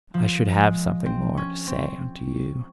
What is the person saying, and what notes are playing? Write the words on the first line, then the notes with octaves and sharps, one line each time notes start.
I should have something more to say unto you!
F3
G#3
C4
C#4
C4